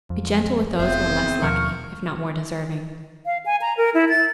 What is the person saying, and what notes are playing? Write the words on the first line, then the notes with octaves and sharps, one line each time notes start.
Be gentle with those who are less lucky, if not more deserving.
F2
F1 C#3 B3 C4 C5 E5
D#2 B2 F3 A#4 C#6
F5
G#5
A#5
A#4
E4
A6